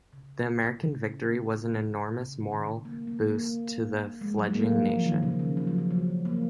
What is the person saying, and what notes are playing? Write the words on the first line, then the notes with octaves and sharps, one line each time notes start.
The American victory was an enormous morale boost to the fledgling nation.
C#3
C#3
C#3
D#3
A#3
A#3
A#3
G#3
F#3
G#3
A#3
F#3
F3
D#3
C#3
D#3
F3
F#3
F3
F#3
A#3